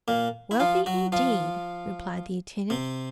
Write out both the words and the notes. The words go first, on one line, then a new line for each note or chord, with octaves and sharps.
"Wealthy, indeed!" replied the intendant.
A#2 A#3
E4
F3 F4
F#3 F#4
F3 F4
C3 C4